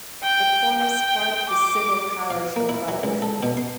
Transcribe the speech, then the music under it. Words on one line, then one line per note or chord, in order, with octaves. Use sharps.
It forms part of the civil parish of Bubwith.
G5
G5
D6
F5
A#3
E4
F#3
C#2
A4
B2
C6